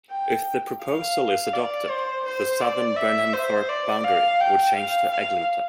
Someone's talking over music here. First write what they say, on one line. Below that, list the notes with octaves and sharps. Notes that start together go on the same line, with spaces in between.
If the proposal is adopted, the southern Burnhamthorpe boundary would change to Eglinton.
G5
F5
D5
C5
C5
D5
E5
C5
D5
F5
G5
F5
F5